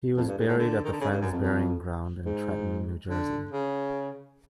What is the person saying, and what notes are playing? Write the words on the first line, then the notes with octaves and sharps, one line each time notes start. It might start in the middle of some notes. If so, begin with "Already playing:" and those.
He was buried at the Friends Burying Ground in Trenton, New Jersey.
F2
G2
G#2
A2
D3
D#3
D3
C#3
G2
F#2
F2
F2
G#2
D3
C#3